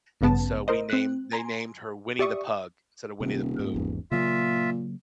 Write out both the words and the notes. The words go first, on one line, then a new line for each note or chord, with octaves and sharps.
and so we named they named her Winnie the Pug instead of Winnie the Pooh.
A1 G2 C#3 B3 A5
A#4 C5 D#5
C4 F#6
G#5 A#5 C6
G4 D5 E5 C#6 D#6
D#1 C3
G#2
G#1 E2 G#2
A#2 C#3 F#3 A#3 F4 E5